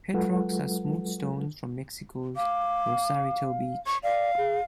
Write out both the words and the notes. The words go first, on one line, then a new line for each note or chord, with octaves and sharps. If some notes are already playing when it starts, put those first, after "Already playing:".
Pet Rocks are smooth stones from Mexico's Rosarito Beach.
F#3 G#3 F4 A4 B4 F#5
F5 D6
C#6
D5 F5
G#4